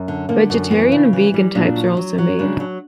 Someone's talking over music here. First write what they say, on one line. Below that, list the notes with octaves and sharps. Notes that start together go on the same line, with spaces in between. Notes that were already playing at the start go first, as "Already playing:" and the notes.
Vegetarian and vegan types are also made.
Already playing: F#2
D3
D3 A#3
F#2
E3 B3
C#3
E3
G3
A#2 D4
F#3
F#3
F#3
C#3 D4
F#3